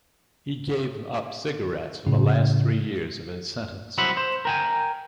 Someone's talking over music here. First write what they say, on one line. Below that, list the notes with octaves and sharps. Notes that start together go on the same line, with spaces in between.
He gave up cigarettes for the last three years of his sentence.
A2 C#3
C2 F#3 C5 E5 F#5 B5
C5
A#4 G5 G#5